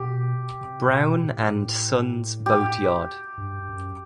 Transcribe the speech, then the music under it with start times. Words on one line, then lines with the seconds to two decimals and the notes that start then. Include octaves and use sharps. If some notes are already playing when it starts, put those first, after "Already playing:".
Brown and Sons boatyard.
Already playing: B2 G4
0.61 C3
0.87 A2
0.92 B2
1.23 A2
2.46 G4
3.38 G2
3.69 F#2